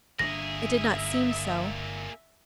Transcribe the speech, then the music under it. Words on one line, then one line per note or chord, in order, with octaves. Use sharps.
It did not seem so.
G1 A#3 D4 G#4 E5 A#6